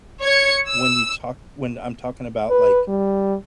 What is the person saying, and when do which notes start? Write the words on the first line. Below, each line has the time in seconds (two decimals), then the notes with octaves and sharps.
when you talk when I'm talking about, like,
0.21 C#5 G#6 C#7
0.68 E6
2.50 B4
2.88 G3